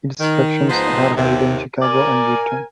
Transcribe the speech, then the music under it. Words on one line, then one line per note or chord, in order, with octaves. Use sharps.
Its sessions are held in Chicago and Wheaton.
D#3
G#2 F3 B3 D#4 C5
D#2 C3
A#4 D5 G#5